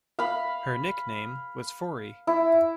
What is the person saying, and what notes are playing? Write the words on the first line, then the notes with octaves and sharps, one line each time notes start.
Her nickname was Fori.
F5 B5
E4